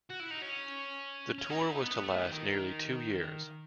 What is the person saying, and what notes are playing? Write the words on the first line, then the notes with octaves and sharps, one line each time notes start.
The tour was to last nearly two years.
F#4
E4
D#4
C#4
C#4
D#4
E4
D#4
B3
A3
D#3